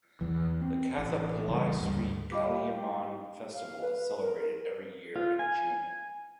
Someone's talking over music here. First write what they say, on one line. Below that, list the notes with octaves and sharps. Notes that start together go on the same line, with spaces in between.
The Kathapillai street Kaliamman festival is celebrated every year in June.
E2 E3
C4
A1
A1 C#3 G3
D2 G#2 D3 G3
G3 G4 D#5 F5 B5 D6
F5
B4
A#4
F4
G#5